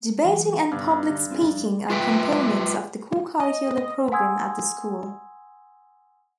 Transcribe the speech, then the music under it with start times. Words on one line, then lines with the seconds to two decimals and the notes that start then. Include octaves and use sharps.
Debating and Public Speaking are components of the co-curricular program at the school.
0.24 E3 F#3 G#3
0.72 C2 G2 D3 B3
0.91 B3
1.09 D3 G3
1.31 C4 F4 G#4
1.49 F2
1.90 F4 B4 E5 G5
3.40 D#5
4.12 F#5 G#5 C6 D#6 E6 G#6